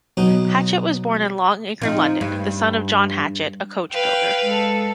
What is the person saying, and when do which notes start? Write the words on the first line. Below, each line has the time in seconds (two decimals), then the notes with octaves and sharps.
Hatchett was born in Long Acre, London the son of John Hatchett, a coach-builder.
0.17 B2 F#3 D#4
1.81 F3 C4 D#4
2.21 G2
3.93 B4 F5 G5
4.45 G#3 A4